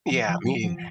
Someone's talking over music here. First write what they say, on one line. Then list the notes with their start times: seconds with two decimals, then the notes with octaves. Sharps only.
Yeah, me.
0.11 F3
0.29 F3
0.46 F#3
0.64 F3